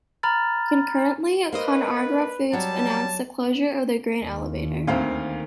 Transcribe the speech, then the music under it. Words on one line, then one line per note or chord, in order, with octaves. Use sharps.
Concurrently, ConAgra Foods announced the closure of the grain elevator.
A#5 B5 F6 A6
A#3 B4 C5 D#5
F#3 G3 A5
D#2
D2 D#3 A#3 C4 F5